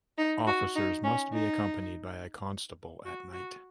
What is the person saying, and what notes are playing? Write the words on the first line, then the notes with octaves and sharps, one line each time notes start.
Officers must be accompanied by a constable at night.
D#4
F#4
D#4
C#4
D#4
F#4
F#4